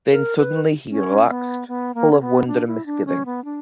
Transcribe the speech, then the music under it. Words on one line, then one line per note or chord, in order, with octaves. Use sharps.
Then suddenly he relaxed, full of wonder and misgiving.
A#4
B4
C#4
B3
B3
A#3
C#4
B3
D4
E4
D4
C#4
B3
D4